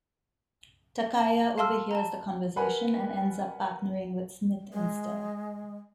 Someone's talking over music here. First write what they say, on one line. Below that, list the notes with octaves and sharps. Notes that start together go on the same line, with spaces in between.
Takaya overhears the conversation and ends up partnering with Smith instead.
A5
F5 A5 C6 E6 F6
A5 A#5
A#4 B4 F#5 G#5 B5
G#3